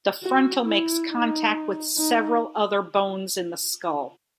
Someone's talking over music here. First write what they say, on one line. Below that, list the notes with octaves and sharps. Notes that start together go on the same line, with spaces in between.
The frontal makes contact with several other bones in the skull.
F#4
E4
D#4
D#4